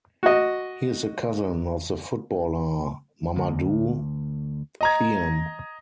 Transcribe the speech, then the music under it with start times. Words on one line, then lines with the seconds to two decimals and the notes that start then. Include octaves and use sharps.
He is the cousin of the footballer Mamadou Thiam.
0.23 F#4 D#5
3.36 D2
4.81 D#5 A#5 G#6